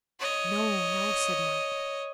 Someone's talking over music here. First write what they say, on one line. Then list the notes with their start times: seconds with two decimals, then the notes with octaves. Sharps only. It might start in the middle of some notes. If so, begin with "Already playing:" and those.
"No, no," said Margaret.
0.19 C#5 D#5